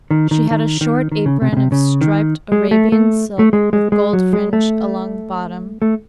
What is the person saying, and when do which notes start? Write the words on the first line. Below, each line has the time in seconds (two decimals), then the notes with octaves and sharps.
She had a short apron of striped Arabian silk with gold fringe along the bottom.
0.11 D#3
0.31 D#3
0.51 D#3
0.81 D#3
1.12 D#3
1.26 C#3
1.42 C3
1.53 C#3
1.57 C3
1.72 C#3
2.01 D#3
2.52 G#3
2.71 A3
2.92 A3
3.39 A3
3.53 G#3
3.73 G#3
3.92 G#3
4.13 F#3
4.33 G#3
4.53 A3
5.82 A3